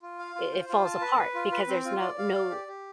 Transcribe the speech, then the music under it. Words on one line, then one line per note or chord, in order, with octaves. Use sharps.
i it falls apart because there's no no
F4
F5
F4
C5
F4
A5
B4
B4
F4
B4
C4
F4
D5
F5
D5
G4
G4